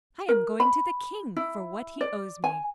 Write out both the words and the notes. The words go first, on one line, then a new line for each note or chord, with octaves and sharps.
'I am going to the King for what he owes me.'
A#4
B5
E4
D5
G#5